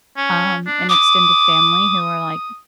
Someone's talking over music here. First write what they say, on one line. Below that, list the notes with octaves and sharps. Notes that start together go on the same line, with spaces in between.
um, an extended family who are like,
C#4
D4
D6 D#6